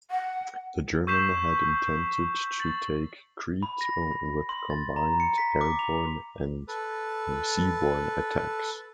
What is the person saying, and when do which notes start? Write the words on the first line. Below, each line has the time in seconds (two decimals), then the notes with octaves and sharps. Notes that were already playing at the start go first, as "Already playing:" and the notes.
The Germans had intended to take Crete with combined airborne and seaborne attacks.
0.10 F#5
1.07 C#6 E6 G6 B6 C7 E7
2.60 A6 F#7
3.63 B5
3.81 A#6
4.11 B5
4.49 C6
4.70 A6
4.96 A#5
5.20 C#7
5.38 B6
5.61 D6
5.79 F7
6.68 A4 B4